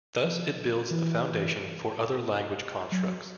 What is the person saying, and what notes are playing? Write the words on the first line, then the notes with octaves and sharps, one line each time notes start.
Thus it builds the foundation for other language constructs.
F3
E3
F#3